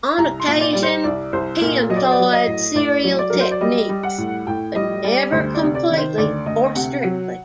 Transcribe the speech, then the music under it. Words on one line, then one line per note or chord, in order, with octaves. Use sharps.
On occasion he employed serial techniques, but never completely or strictly.
C2 A#5
C6
A#2
D5
G3 D5
C5
C2 D5
C2 C5
A#2 A#4
F#3 D#5
D5
C5
D5
F#3
D#5
A2
A2 D5
F#3
D5
F#3 A#4
C5
D5
G3 D#5
G3
F#5
A2
A2 G5
G3 D#5
G3 D5
D2 C5
D5
C3
D5
D#3
C5
D2 D5
D2 D#5
C3 F#5
F#3